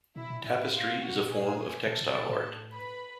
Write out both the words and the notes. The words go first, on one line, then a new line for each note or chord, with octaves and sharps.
Tapestry is a form of textile art.
B2 E4 E5
A#2
A2 E4 E5
F4 F5
F#4 F#5
A#2
G#4 G#5
A#2 A4 A5
A#2
A#2
A2
B4 B5